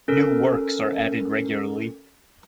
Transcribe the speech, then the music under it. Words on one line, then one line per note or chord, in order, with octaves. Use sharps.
New works are added regularly.
C#4 A4 A#4